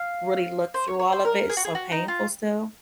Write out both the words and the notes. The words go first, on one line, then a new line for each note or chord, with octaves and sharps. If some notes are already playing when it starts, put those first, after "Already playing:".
really look through all of it. It's so painful still,
Already playing: F5
C5
C#5
C#5
C5
A#4
G#4
F#4
G#4
F#4
D#4
F4